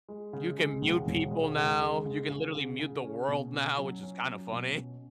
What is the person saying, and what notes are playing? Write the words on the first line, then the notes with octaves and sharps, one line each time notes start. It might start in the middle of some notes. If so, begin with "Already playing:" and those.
You can mute people now. You can literally mute the world now, which is kind of funny.
G#3
C#3
G#3
E1
E1
G#3
C#3
G#3
C#3
C#3
C#3
C#3
C#4
B2
C#4
F#3
C#4
F#3
B2
C#4